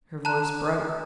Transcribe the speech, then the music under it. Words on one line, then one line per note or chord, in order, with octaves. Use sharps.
Her voice broke.
A5 A#5 F#6